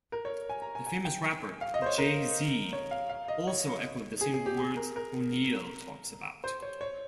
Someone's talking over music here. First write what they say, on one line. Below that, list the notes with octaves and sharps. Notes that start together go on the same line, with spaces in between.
The famous rapper, Jay Z also echoed the same words O'Neal talks about.
A#4
C#5
G#5
A#5
G#5
G#5
G5
F5
D#5
C5
C#5
A#4
C#5
F5
F5
D#5
C#5
G#4
G#4
G4
G#4
A#4
A#4
C5
C#5
C#5